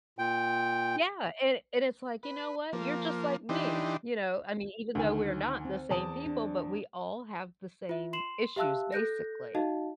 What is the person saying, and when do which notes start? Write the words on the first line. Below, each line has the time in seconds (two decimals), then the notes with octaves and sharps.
Yeah, and and it's like, "You know what? You're just like me." You know? I mean, even though we're not the same people, but we all have the same issues, basically.
0.19 A#2 G5
2.23 B4
2.73 F3 A#3
3.49 E3 D4 D#4 G4 C6
4.95 D2 D#3 G#5
5.65 C4
5.91 E2 A5 D#6
6.26 D4
7.89 F4 E5
8.13 C6 C7 E7 F#7
8.56 G4 E5 F5 A5 E6 F#6
8.92 A4 F#6 G6 A#6
9.55 D#4 F#4 D#5 F5 A5